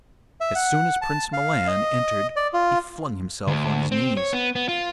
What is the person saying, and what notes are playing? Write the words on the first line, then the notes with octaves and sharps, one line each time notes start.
As soon as Prince Milan entered he flung himself on his knees.
E5
F#5
A5
F5
D#5
D5
F4
D2
C4
C#5
B3
B3
F4